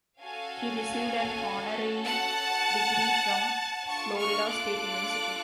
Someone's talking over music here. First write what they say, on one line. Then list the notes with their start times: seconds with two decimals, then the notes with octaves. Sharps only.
He received an honorary degree from Florida State University.
0.21 C#4 F#4 A4 F5 G#5
2.04 F#5 A5
3.88 D4 F4 A4 A5 C#6
4.18 C#6 F6
4.49 D6 F#6